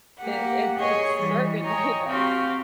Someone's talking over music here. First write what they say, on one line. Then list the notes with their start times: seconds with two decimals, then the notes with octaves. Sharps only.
It it it certainly does.
0.20 A#3 G4 F#5
0.78 G#4 C#5 D#5 G#5
1.21 E3 G3
1.63 C#5 D#5 G5 G#5 A#5
2.07 C4 F#4 G4 F5 G5